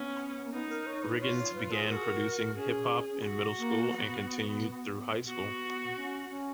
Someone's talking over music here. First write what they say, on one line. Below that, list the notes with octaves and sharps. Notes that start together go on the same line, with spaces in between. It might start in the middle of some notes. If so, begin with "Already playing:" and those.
Riggins began producing hip hop in middle school and continued through high school.
Already playing: B3 C#4
A#3
B3 D#4
A#4
C#5
B4
F4 C#5
C#5
B4
G#4
F#4 A#4
G#4
A#4
C#4 G#4
F#4
A#3
B3
B3 F#4
C#4
C#4